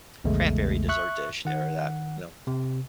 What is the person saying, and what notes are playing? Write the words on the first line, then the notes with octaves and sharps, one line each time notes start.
cranberry dessert dish there that, you know,
A#1 E2 C#3 G#3 A3
E5 C#6 F#6
D#3 F#5
C3